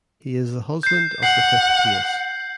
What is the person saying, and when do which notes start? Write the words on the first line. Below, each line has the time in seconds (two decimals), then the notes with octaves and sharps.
He is the husband of the fifth case.
0.83 G6 C7
1.23 F#5 C7